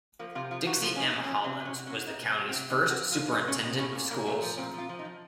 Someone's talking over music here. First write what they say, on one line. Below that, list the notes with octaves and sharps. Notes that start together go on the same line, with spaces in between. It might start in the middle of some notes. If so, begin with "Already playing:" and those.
Dixie M. Hollins was the county's first superintendent of schools.
F3 A#3
C3 F4
F3 F4
C3 F#4
F3 F4
F3 C#4
D#4
F3
C#4
F3
C3 C4
C3
C#4
F#3
C#4
F#3
C3 D#4
F#3 C4
F#3
C4
C3
A2 D#4
A2 F#4
F3
F4
F3
A2 D#4
A2 C#4
A2 D#4
A2 C#4
A#2
A#2 A#3
A#2 A3
F3
A#2 C4
F3 F4
F3
D#4
F3